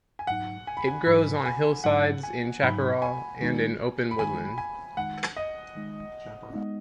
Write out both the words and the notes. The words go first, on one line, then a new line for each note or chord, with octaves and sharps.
It grows on hillsides, in chaparral, and in open woodland.
G#5
G#2 F#3 D#4 F#5
G#5
B5
G#5
G#2 F#3 D#4 B5
G#5
G#2 F#3 D#4 F#5
G#5
G#2 F#3 D#4 B5
G#5
D#3 G#3 D#4
B5
D#3 G#3 D#4 G#5
G#5
D#3 G#3 D#4 F#5
D#5
D#3 G#3 D#4
G#3 B3 D#4